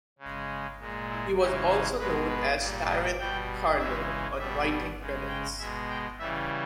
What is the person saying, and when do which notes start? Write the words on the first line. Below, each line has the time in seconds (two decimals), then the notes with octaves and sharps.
He was also known as Tyran Carlo on writing credits.
0.19 C#3 G#3
0.79 A#2 G#3
1.09 E4
1.39 C#3 E3 G#3 G4
1.69 G#4
1.99 B2 G#3 B4
2.29 B4
2.58 A#2 G3
2.89 D#5
3.19 B2 G3 G5
3.79 C#3 E3 G#3 E5
4.39 B2 G3 E5
4.99 C#3 G#3
5.29 G5
5.59 B2 G#3 E5
5.89 G5
6.19 C#3 E3 G3 E5